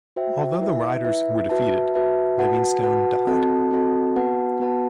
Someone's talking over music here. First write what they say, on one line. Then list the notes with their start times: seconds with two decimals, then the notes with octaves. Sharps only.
Although the Riders were defeated, Livingstone died.
0.16 F#4 C5 E5 G5
0.61 E4 B4 E5
1.05 E4 B4 E5
1.49 F#4 B4 E5 A5
1.94 F#4 B4 E5 A5
2.38 F#4 B4 F#5 A5
2.83 F#4 B4 F#5 A5
3.27 C4 F#4 A4 D#5 A5
3.71 C4 F#4 A4 D#5 A5
4.16 B3 F#4 B4 F#5 A5
4.60 B3 F#4 B4 F#5 A5